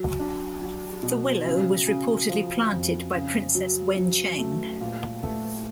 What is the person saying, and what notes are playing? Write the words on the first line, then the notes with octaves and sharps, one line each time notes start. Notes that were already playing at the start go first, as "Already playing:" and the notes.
The willow was reportedly planted by Princess Wencheng.
Already playing: F#3
D4
F#3
B2
C#3
C#3
F3
F2
C#3
F#3
F#3
A3
A#2
A3